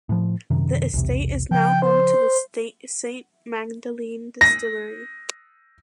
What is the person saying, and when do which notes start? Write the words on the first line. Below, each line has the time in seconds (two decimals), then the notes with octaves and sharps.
The estate is now home to the St Magdalene distillery.
0.09 A2 F3
0.50 F#2 C3 D#3
0.93 B1 E2 C3
1.51 C#3 F3 G5
1.82 C5
4.41 A#6